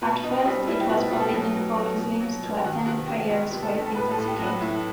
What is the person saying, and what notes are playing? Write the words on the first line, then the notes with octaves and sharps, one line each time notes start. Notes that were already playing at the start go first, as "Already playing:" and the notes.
At first, it was forbidden for Muslims to attend prayers while intoxicated.
B2 B4
B2 D#4
G3 C4
G3 E4
G4
B2 F#4
B2 G4
A4
G4
F#3
F#3
F#3
B2
F#3
B2
G4
D#3 F#4
C3 F#4
C3 G4
G3 G4
C3
A4
C3
A4
A2 B4
A4
A2
G4
F#3 F#4
A2 E4